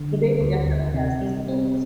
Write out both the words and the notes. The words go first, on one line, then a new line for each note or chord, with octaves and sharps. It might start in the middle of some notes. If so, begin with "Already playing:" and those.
The baby definitely has the sniffles.
Already playing: D3
G3
D2
D2
C3
G3
C4